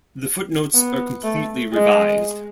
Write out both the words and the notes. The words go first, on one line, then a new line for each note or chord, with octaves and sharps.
The footnotes are completely revised.
B3
A3
G#3